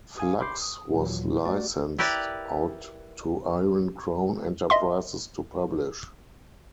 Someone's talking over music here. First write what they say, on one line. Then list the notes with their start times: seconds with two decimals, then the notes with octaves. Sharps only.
Fluxx was licensed out to Iron Crown Enterprises to publish.
0.18 F5 G#5 D#6
0.40 B5 C6 D6 G6 C7
0.62 D#6
0.92 D#2 A#2 E3 F#3
1.45 A3 F#4 D5
1.98 E4 G4 A#4 B4 D5
4.70 D#5 E5 C6